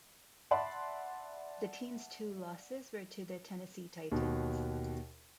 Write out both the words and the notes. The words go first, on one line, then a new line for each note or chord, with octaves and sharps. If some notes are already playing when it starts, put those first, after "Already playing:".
The team's two losses were to the Tennessee Titans.
D5 E5 F#5 A5 B5 C6
D#2 B2